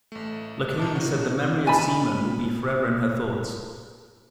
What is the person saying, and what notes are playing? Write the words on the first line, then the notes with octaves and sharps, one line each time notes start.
Locane said the memory of Seeman will be forever in her thoughts.
A1 A3
A#2 D#3 A5 D6
D#4 F#4
D#5 G#5 A5 B5